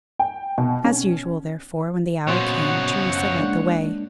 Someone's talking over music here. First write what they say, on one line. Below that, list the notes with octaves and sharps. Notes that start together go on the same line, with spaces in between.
As usual, therefore, when the hour came, Theresa led the way.
G5
B2
C#4
A#2 C#3 B3 F#4 C5 C#5 F#5 C6
F#2
G#3 A#3 D4